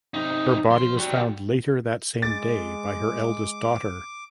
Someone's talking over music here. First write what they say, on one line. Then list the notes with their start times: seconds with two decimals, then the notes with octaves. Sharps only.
Her body was found later that same day by her eldest daughter.
0.14 C3 D#4
0.70 F3 C6
0.97 G3 F#4
2.22 G#3 D6 A6